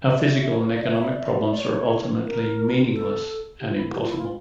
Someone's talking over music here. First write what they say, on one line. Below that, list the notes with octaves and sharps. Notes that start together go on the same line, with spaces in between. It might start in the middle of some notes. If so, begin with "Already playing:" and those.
Our physical and economic problems are ultimately meaningless and impossible.
E5
D5
E5
C#5
E5
C#5
A#4
C#5
D5
E5
C#5
E5
D5
E5
D5
E5
D5
C#5
A#4
A4
G4
F4
E4
G4
F4
E4
F4